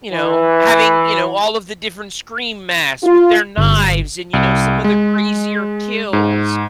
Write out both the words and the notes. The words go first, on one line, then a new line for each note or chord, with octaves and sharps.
You know, having, you know, all of the different Scream masks with their knives and, you know, some of the crazier kills
E3
F4
G1
C2
G#3
G#2